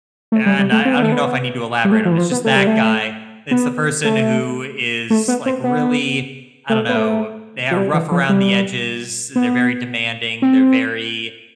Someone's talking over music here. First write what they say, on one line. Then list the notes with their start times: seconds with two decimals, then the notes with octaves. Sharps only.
And I I don't even know if I need to elaborate on it. It's just that guy. It's the person who is, like, really, I don't know, they're rough around the edges. They're very demanding. They're very,
0.32 A3
0.46 G3
0.59 G3
0.72 A3
0.85 C4
0.94 B3
1.02 A3
1.12 B3
1.85 G3
1.92 A3
2.05 F3
2.11 E3
2.18 F3
2.31 B3
2.44 A3
2.56 G3
2.67 A3
3.51 B3
4.05 A3
5.10 A3
5.28 B3
5.46 C4
5.64 B3
6.70 A3
6.89 B3
6.96 A3
7.71 F3
7.77 G3
7.94 E3
8.11 F3
8.29 G3
9.36 B3
10.42 C4